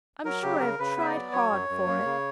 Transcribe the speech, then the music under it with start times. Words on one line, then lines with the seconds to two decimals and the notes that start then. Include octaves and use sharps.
I'm sure I have tried hard for it.'
0.25 F#3 A#4
0.43 C#3 G4
0.61 C#3 A#4
0.79 C#3 B4
0.97 B3 E5
1.05 D5
1.16 F#3
1.32 F#3 C#5
1.51 F#2
1.69 F#2
1.87 A#3
2.05 C#3